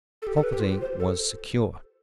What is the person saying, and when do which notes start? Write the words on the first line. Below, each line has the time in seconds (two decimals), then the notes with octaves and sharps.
Property was secure.
0.22 A4
0.27 G4
0.36 A4
0.43 B4
0.52 G4
0.60 F4
0.71 G4
0.81 C5
1.00 A4